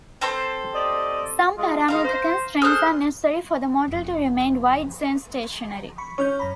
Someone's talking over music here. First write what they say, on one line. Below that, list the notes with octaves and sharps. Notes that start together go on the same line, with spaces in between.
Some parameter constraints are necessary for the model to remain wide-sense stationary.
C4 A4 C5
G4 D5 D#5
G#3 F4
D#3 G#3 D#4 F5 A#5
C5
G#4 A4 C5 F6 F#6
F1 F2
B5 C#6
C#4 C#6 F6 G6
F#2 A#5 B5